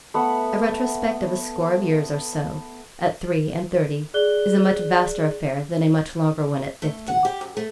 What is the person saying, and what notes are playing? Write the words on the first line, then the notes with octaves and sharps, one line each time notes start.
A retrospect of a score of years or so, at three-and-thirty, is a much vaster affair than a much longer one at fifty.
A3 B3 F#5
G#4 D5 F#6 G7
A3
F#5
G4
F#2
A3